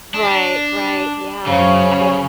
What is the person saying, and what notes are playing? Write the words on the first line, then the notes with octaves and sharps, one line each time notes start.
Right, right, yeah, I
D4
F#2 C#3 C5 C#5 F5